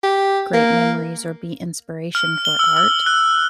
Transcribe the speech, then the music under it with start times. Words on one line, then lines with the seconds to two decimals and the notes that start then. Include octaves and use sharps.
great memories or be inspiration for art.
0.03 G4
0.53 A#3
2.15 F6
2.45 G7
2.59 E6
2.77 E6
3.06 F#6